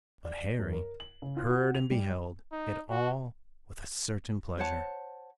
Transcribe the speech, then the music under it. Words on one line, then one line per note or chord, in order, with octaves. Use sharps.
But Harry heard and beheld it all with a certain pleasure.
D5
F#2
A#4
F#7
C#3
F4
F#4
F7
G3
D#4
F#4
C5 C#5 F#5 A5